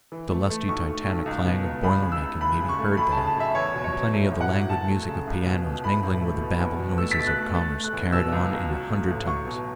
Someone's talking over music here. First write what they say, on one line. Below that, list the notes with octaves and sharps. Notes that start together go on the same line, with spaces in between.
The lusty, titanic clang of boiler making may be heard there, and plenty of the languid music of pianos mingling with the babel noises of commerce carried on in a hundred tongues.
E3
A3
A3
B1 C#6
A3
B1
C#2
B2
C#2
C#2 B5
C#3
E6
C#2
F#1 B5
C#3
C#6
A3
F#2 B5
A5
C#3
A5
F#2 E5
E2 C#5
B2
C#5
F#3
A2
A1
F#5
F#3
F#1 A5
A3
C#3
C#2
B2
B2
A2 B5
A1
A3
B2
E2
B2
A3 E6
B6
B2 A6
F#6
A3
A3 A6
A3
F#6
E2
B2 E6
C#2
C#2
F#3
A3
A1
F#3 C#6
B2